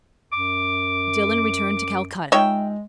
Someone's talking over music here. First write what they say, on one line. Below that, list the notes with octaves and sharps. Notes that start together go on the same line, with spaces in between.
Dillon returned to Calcutta.
F#2 D6
G#3 D#4 F4 C#5 E5 G5